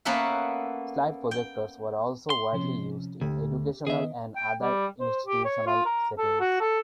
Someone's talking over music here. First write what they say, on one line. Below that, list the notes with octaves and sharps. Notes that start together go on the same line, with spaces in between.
Slide projectors were also widely used in educational and other institutional settings.
A#3 B3 C#4 A4 E5 F#5
G5
C6
C3 F3 C#4
D2 G4
D#3 B3 G#4 D#5 E5
G5
G3
C5
G4
C#5
F4
A#4
A4
F#4
A4